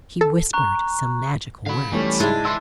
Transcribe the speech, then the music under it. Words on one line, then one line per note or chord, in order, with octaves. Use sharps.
She whispered some magical words.
A4
A#5 C#6 F#6
D3 F#4 F5 B5
B1 E3 G3 A3 C#4
G#2 C#3 G#3 D4 E4
E4 G#5 C6 E6